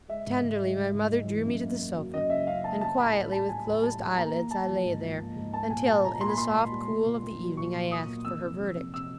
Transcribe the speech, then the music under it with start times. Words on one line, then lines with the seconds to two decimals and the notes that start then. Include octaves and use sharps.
Tenderly my mother drew me to the sofa; and quietly, with closed eyelids, I lay there until, in the soft cool of the evening, I asked for her verdict.
0.08 G#3 E5
0.26 G#2
0.43 G#2
0.60 G#3
0.77 G#2
0.94 G#2
1.11 G#2
1.28 E3
1.45 F#2
1.62 A#3
1.79 A#3
1.96 F#3
2.13 F#2 D#5
2.30 C#3 E5
2.47 C#3 F5
2.64 A#3 A5
2.81 G3 A5
2.98 A2 B5
3.16 A2
3.32 G3 A5
3.49 G3 G#5
3.66 A2
3.83 G3 A5
4.00 G3
4.17 A#3 A#5
4.34 A#3
4.51 A#3 A5
4.68 F3
4.85 G#2
5.02 F3
5.19 A#3
5.36 G#2
5.53 A#3 A5
5.70 A#2 G#5
5.87 G3 A5
6.04 A#2 A#5
6.21 A#3 C6
6.29 B5
6.38 A#3 C6
6.55 A#2
6.72 G3
6.90 A#2
7.06 A#2
7.23 A#2
7.40 F#3
7.57 A#2 C#6
7.75 A#2
7.91 A#3 D#6
8.08 A#3
8.25 F2 E6
8.42 C3
8.60 F2
8.76 C3
8.94 C3 E6